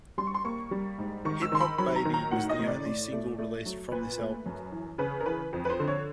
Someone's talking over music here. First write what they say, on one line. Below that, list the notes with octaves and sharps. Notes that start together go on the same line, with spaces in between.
"Hip Hop Baby" was the only single released from this album.
G3 C6
C#6
C6
A#3 C#6
G3
G#2
D#3 C#6
E6
D#3 C6
B5
F#3 B5
A#5
D#3
A#5
A2 F#5
D#5
A2
D5
A2
A3
A3
F#3
A#2 B4
A3
F#2
E3
C#3 B4
A#4
E3 B4
F2
B4
C5
D3
C#5